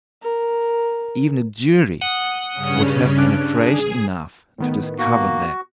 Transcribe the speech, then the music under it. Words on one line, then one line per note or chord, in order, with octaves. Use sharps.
Even a jury would have penetration enough to discover that.
A#4
F#5 D#6
G2 C#3 C#4
D4
G#4
A2 D#3 B3
A#3 F#4